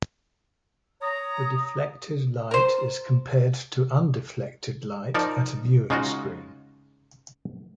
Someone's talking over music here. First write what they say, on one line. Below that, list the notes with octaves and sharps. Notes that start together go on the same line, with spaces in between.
The deflected light is compared to undeflected light at a viewing screen.
C#5 A#5 D#6
A#4 C5
F3 D#4 A#4 D5 A5
C#3 G#3 D#4 F4 F#4